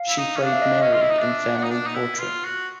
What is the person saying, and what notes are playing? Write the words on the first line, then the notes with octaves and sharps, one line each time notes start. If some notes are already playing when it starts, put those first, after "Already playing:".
She played Mary in "Family Portrait".
Already playing: F5
E4
D#4
C#4
D4 F5
E5
D#5
E5
C#4 D#5
F4
E4
D#4
D4 E5
D4 F#5
D#4
D4
D#4
E4
F4
F#4